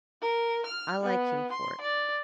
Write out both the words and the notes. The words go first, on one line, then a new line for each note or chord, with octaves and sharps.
I like him for it.'
A#4
F6
B3
C6
D5